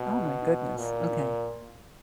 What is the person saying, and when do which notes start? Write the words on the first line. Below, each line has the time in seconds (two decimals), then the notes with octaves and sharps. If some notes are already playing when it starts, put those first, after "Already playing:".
Oh, my goodness, okay.
Already playing: B2
0.78 A#2